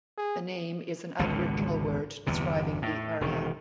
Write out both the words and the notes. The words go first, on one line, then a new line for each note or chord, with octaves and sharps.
The name is an Aboriginal word describing the area.
G#4
G#1 C#2 B2 D3
G1 E2 C3
A2
E1 D#3